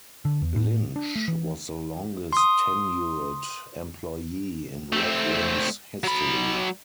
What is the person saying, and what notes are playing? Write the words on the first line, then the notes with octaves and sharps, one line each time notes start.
Lynch was the longest-tenured employee in Red Wings history.
D3
E2
A2
D4
A3
E3
C6 D#6
A3 C4
F#3 B5